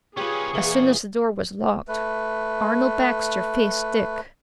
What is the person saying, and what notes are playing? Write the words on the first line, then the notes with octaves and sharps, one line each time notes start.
As soon as the door was locked Arnold Baxter faced Dick.
C#4 F4 G4 G#4 B4 C#6
A#2 E3 A#3 F4 F#5
A3 B4